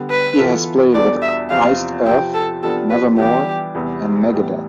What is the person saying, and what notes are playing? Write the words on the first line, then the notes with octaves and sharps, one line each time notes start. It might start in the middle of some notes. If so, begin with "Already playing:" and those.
He has played with Iced Earth, Nevermore, and Megadeth.
Already playing: D3 G3 B3
B4
E3 B3 F4 A4
E2 B2 G3 D4 A4 D5
E5
E2 C3 F3 C4 F4 F5
C3 F3 C4 G5
A4
C3 F3 B3 D4 A4
B4
E3 G3 B3 D4 G4
E2 C3 E3 G3 B3
A2 E3 G3 B3